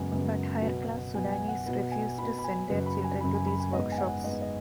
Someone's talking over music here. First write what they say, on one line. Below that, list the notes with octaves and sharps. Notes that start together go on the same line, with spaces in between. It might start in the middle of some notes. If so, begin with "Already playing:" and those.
But higher class Sudanese refused to send their children to these workshops.
Already playing: F#2 C#3 G#3 B3 G#5
F#2 C#3 G#3 B3
B2 F#3 B3
B2 F#3 B3 G#5
G#5
F#5
B2 B3
G#5
B2 B3 B5
B5
G#5
F#2 C#3 F#3 B4
B5
G#5
F#2 C#3 F#3 B5
G#5
B5
G#5
G#2 G#3 B3 D#5
G#5
F#5
G#2 G#3 B3 D#5
D#5